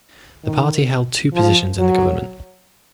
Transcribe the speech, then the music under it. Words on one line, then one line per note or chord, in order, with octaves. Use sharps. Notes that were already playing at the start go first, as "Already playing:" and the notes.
The party held two positions in the government.
D#3
F3
F#3